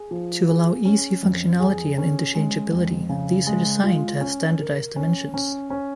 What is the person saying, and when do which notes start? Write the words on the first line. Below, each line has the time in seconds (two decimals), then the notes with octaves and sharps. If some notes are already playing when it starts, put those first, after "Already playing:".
To allow easy functionality and inter-changeability, these are designed to have standardised dimensions.
Already playing: G#4
0.11 F3
0.48 G#4
0.85 C#4
1.23 F2
1.60 G#4
1.98 C#4
2.35 G#3
2.72 F2
3.09 C#3
3.47 G#3
3.84 F4
4.21 C#4
4.59 A#4
4.96 C#4
5.34 C#4
5.70 C#4